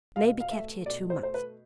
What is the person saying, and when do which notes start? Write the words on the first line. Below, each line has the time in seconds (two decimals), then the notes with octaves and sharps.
May be kept here two months.
0.16 B2 F5
0.40 F5
0.51 A3 E5
0.86 B2 D5
1.10 C5
1.22 A3 C5
1.34 B4